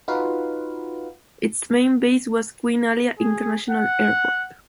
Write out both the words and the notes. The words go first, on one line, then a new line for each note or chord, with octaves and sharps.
Its main base was Queen Alia International Airport.
D#4 F4 F#4 B4 F5
G#4
F#5